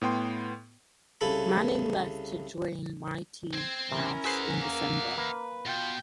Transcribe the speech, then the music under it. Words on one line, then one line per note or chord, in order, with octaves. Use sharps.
Manning left to join Mighty Mouse in December.
A2 B3 G5 C6
C2 C#3 A4 B5
C4 C5 G#6
C3 C#4 E4 A#4
G#4 B4 C5 E5 F#5
A#3
A#3 B4
B2 F4 G5